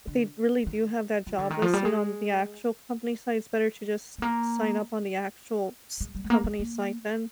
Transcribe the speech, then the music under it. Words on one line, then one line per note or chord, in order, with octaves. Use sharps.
they really do have that job listing on the actual company site, it's better to just sign up on the actual s company site, then.
D3
D#3
F3
D3
D#3
F3
G3
G#3
G#3
A#3
G#3
G3
G#3
A#3
G#3
A#3